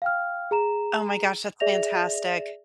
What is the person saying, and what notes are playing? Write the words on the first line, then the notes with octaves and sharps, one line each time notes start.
Oh my gosh, that's fantastic.
F5 G5 F6
G#4 A#5 E7
G#4 D5 E5 A#6 F7